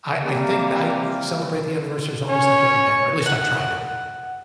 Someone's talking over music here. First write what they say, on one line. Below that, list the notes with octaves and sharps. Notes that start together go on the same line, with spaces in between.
I I think that I celebrate the anniversaries almost like every day, or at least I try to.
C3 G3 A#3
C#4 C#5
F#5